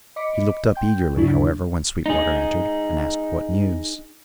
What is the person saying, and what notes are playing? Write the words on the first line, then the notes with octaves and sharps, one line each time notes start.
He looked up eagerly, however, when Sweetwater entered, and asked what news.
D#5 B5 D6 B6 C#7 D7
G5 C6 G6
G2 C#3 F#3 D4 E4
D#4 G#4